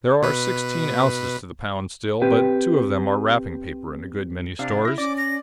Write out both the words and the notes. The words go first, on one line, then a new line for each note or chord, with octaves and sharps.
There are sixteen ounces to the pound still, but two of them are wrapping paper in a good many stores.
B2 B4
C4 G4 B4 G5
C3 D4 F5
E4 A#6
C#4 D5 D6
A#6